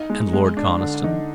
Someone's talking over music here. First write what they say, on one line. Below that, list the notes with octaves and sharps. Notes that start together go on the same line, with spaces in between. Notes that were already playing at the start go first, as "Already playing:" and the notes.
"And Lord Conniston?"
Already playing: D#4
G#3
G#3
D4
D3
D#4